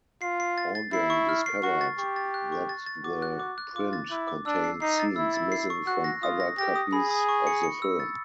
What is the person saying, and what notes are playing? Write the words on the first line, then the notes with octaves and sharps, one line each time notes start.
Organ discovered that the print contained scenes missing from other copies of the film.
F4 C7
C7
A6
A6
E4 C7
C#6
F6
C7
F#4 C#6
A6
G4 C#6
A6
F#6
C#6
A6
A6
F#4 D6
F#6
D6
F#6
F4 D6
A6
E4 D6
D6
D4 E6
C7
D#4 C7
A6
E4 E6
A6
C7
C#6
F#4 F#6
A#6
F4 D#6
A#6
G4 A#6
D#6
G#4 B5
D#6
C#6
C#7
C#7
E6
A6